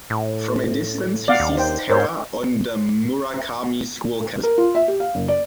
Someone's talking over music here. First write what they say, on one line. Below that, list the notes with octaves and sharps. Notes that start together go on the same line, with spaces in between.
From a distance, he sees Terra on the Murakami School campus.
A2
D5 F5 F#5
D#2
D#4 C5 G5
G#2 A#4 C5 C#5
A#4
F4
E5
G4
F5
F#1
D5